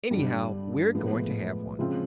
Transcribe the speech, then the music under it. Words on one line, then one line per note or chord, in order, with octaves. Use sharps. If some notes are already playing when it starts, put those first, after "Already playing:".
Anyhow, we're going to have one.
G2 D3 G3
A2 F3 G#3 B3
C#3 F3 G#3 C4 F4